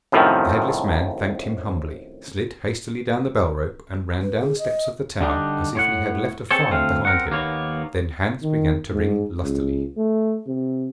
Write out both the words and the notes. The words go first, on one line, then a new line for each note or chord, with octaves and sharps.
The headless man thanked him humbly, slid hastily down the bell rope, and ran down the steps of the tower as if he had left a fire behind him. Then Hans began to ring lustily.
F#2 A2 C3 D#3 F3
B4
G#4
D#5
D3 G3 D4 D#4
A2 C#5 F#5
C4 G#4 A4 C5 C#5
D2 A3 C4 F5
C4 A#4 F#5
D#2 A#3 B3 C#5
D#3
G#2
C#2
A3
C3